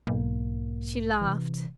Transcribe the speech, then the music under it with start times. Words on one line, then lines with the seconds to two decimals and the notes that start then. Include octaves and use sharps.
She laughed.
0.07 B1 G#2 A#3
1.21 C3 E3